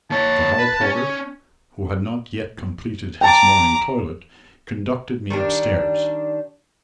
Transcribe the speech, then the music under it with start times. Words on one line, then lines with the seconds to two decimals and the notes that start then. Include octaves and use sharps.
The hall porter, who had not yet completed his morning toilet, conducted me upstairs.
0.11 A#3 C#5 A5
0.58 B4
0.81 C#4
3.21 G5 A5 A#5 D6
5.30 D#3 G3 D4